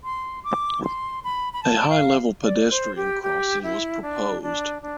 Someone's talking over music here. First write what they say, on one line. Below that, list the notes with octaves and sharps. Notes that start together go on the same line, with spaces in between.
A high level pedestrian crossing was proposed.
C6
D6
C6
B5
B5
A5
F5
D5
C5
G4
G4
E4
D4
D4
D4